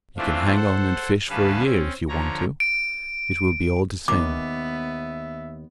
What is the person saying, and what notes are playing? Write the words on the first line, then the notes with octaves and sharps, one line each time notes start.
You can hang on and fish for a year, if you want to: it will be all the same.
E3 A3 C4 D4 F4
A4 C5 F#5
D2 G3 C#4 B4 F5 A5
C4 C#4
D3 F3 C#5 A#5
D7
D#2 B3 E5 D6